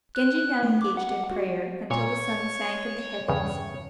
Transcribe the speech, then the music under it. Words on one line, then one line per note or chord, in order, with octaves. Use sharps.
Genji now engaged in prayer until the sun sank in the heavens.
F#6
A3
D6
F#5
F#4
A#2 C#5
E2 G2 C#3